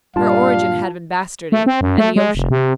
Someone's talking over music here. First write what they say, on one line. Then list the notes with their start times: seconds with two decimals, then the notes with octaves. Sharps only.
Her origin had been bastardy and the ocean.
0.16 G2 A#2 G3 F4 F5 A5
1.52 A3
1.66 C4
1.81 F#2
1.98 A3
2.16 G#3
2.35 F1
2.50 C3